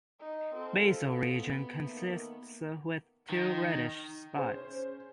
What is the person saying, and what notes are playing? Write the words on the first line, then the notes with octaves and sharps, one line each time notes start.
Basal region consists with two reddish spots.
D#4
C4 F4 A4
B3
D#3 A3 A#3
D#3
C#4 G#4 C5